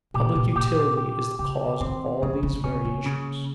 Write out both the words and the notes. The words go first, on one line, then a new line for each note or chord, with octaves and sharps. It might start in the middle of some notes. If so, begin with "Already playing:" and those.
Public utility is the cause of all these variations.
A#2 G4
A#2
A#2 G4
G4
C#3 G4
D#3 C4
C#3 F3
C#4
C4 C#4
A#3
C#3